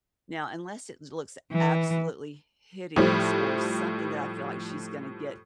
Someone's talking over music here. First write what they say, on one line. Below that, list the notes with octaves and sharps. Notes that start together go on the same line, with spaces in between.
Now, unless it looks absolutely hideous or something that I feel like she's gonna get
E3
A2 F3 G3